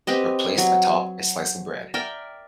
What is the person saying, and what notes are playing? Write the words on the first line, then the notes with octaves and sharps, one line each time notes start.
or placed atop a slice of bread."
C4 G4 B4 D#5
F#3
A#4 D5 E5 G5